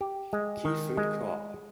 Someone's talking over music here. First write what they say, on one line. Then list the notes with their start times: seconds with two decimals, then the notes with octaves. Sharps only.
Key Food Coop.
0.01 G4
0.33 G#3
0.65 D#3
0.97 G#3